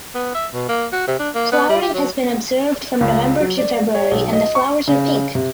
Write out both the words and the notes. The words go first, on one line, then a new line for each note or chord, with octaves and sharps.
Flowering has been observed from November to February and the flowers are pink.
B3
E5
B2
A#3
F#4
C3
D4
A#3
B3
G3
G4
F#3
C#2
F#3
D5
C#5
B1
D#5
C#6
C#3
C3